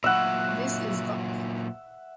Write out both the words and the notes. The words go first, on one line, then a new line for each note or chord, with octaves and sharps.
This Is Goth!
A#2 F#3 E5 F#5